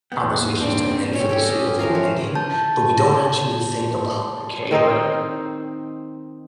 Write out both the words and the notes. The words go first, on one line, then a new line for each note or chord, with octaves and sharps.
conversations to end for the sake of it ending, but we don't actually think about, like hey, like,
E2 G#2 A#3 B3 F#5 G5
G2 C#3 C4 D4
C#4 C#5 G5
G4 A4
C#4 D#5
E3 F3 A#4 F5
C#5
A5 G6
D#3 C4 D#4 C5